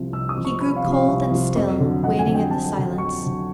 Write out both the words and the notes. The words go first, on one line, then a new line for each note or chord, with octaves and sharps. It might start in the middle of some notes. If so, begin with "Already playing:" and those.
He grew cold and still, waiting in the silence.
Already playing: C2 C3 F3
C2 E6
D#6
C3 F3
C#6
C2 B5
F5
C3 F3
F5
C2
C3 F3
F2
D3 F#3
F2 F#5
G#5
D3 F#3
G5
F2 A5
D3 F#3
F2 C#6
D3 F#3